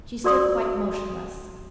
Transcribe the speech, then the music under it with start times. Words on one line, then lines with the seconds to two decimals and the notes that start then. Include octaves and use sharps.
She stood quite motionless.
0.24 F#4 A#4 D5 C6 D#6 E6